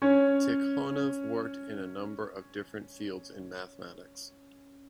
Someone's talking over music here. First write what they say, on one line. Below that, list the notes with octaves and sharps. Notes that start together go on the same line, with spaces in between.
Tikhonov worked in a number of different fields in mathematics.
C#4 C#5